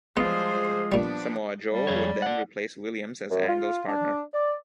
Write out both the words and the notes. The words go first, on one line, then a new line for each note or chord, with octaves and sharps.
Samoa Joe would then replace Williams as Angle's partner.
F3 G3 G#3 B3 F4 G#4 C5
A#2 F3 G3 B3 D4
G3
F2 G#4 C#5
D5 F#5
F#2
F4
D4
D5